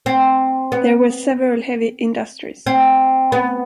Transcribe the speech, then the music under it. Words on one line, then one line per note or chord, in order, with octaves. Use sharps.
There were several heavy industries.
C4
B3
C4
B3